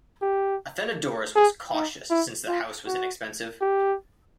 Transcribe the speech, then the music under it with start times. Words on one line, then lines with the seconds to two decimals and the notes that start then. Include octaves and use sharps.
Athenodorus was cautious since the house was inexpensive.
0.22 G4
1.35 G#4
1.74 D#4
2.10 E4
2.48 F4
2.86 F#4
3.61 G4